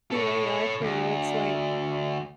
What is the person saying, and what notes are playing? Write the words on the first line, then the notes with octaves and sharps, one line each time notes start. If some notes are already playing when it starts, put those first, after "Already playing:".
do AI for you, it's like
A4 C#5
D2